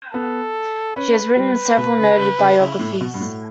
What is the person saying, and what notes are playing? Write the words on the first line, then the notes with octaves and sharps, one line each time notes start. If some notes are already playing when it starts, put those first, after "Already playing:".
She has written several noted biographies.
B3 A4
C#4 B4
G3
B2
C#3
C#3
C#3
C#3 E4
A2
B2 F#4
G2
A2